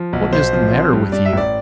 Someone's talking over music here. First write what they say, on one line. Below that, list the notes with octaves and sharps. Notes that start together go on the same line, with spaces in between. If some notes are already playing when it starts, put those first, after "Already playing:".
"What is the matter with you?"
Already playing: F3
B1
B1 C5
F3
C4
G2
G2 D5
E5
A1 D5